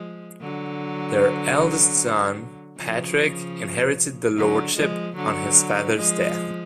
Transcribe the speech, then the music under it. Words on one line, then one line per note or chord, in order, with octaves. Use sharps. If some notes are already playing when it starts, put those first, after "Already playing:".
Their eldest son, Patrick, inherited the Lordship on his father's death.
Already playing: F3 G#3
D3 F#3
C#3 F3
D3 F#3
F3 G#3
D3 F#3
F3 G#3